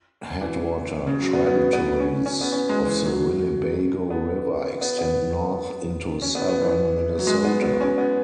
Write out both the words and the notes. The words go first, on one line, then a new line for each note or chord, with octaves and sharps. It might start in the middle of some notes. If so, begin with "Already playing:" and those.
Headwater tributaries of the Winnebago River extend north into southern Minnesota.
E3
C#3
F#3
B3
B3
B3
C#4
C#4
B3
C#4
G#3
E3
F#3
B3
B3
B3
C#4
B3
B3
E3
F#3
G#3
B3
B3
C#4
B3